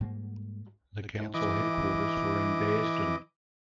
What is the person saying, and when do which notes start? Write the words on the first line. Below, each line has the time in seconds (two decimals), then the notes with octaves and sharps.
The council headquarters were in Bearsden.
0.01 G#2 G3 A#3
1.34 E3 D#5 D6